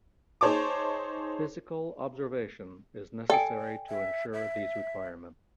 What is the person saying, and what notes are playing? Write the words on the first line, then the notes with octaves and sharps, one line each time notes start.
Physical observation is necessary to ensure these requirements.
D#4 G#4 C5 C#5 A5 D6
A4 D5 G5 G#5
E5
E5